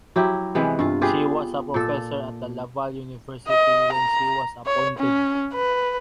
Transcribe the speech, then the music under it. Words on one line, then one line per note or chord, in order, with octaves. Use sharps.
She was a professor at Laval University when she was appointed.
F#3 E4 G4
C3 E3 G#3 B3
G2 F4
F4 G4 G#4 B4
A#2 A4
D#5
A#5
C#5
C#4
B4